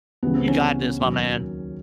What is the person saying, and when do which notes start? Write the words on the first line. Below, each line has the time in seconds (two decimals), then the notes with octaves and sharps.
You got this, my man.
0.23 C#2 C#3 E3 G3 B3
0.35 C4
0.48 C#4
0.98 D#2 D#3 F#3